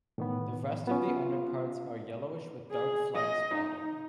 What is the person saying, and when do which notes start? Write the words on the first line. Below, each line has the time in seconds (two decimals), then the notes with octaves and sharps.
The rest of the underparts are yellowish with dark flank spotting.
0.18 A2 D#3 B3
0.88 B3 C#4 F4
2.71 G#4
3.15 D#5
3.54 D#4